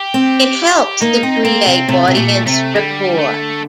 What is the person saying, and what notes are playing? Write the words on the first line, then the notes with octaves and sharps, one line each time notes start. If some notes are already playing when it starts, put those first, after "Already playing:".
It helps to create audience rapport.
Already playing: G4
C4
A#3 D#4
C4
A#3 C4
C3
C3 A3
C3
A#2 A3
C3 A3
D3 G3
A3